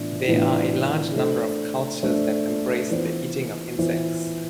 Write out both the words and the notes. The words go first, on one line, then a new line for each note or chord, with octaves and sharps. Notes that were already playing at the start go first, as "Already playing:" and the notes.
There are a large number of cultures that embrace the eating of insects.
Already playing: A2 E3 B3 D4 F4
A2 E3 B3 D4 F4
A3 D4 A4 C5
A3 D4 A4 C5
E3 B3 F4 C5
E3 B3 F4 C5